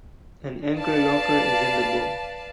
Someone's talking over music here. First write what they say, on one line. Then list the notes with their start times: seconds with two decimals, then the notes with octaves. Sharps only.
An anchor locker is in the bow.
0.77 B4 D5 F5 A5